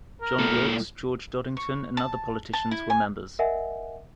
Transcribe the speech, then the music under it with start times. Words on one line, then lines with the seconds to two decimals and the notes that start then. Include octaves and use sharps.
John Wilkes, George Dodington and other politicians were members.
0.21 A#4
0.39 A#2 A4
1.57 C#6
1.97 A5
2.53 A5
2.71 E4
2.90 G#5
3.39 A#4 D#5 E5 F#5 G#5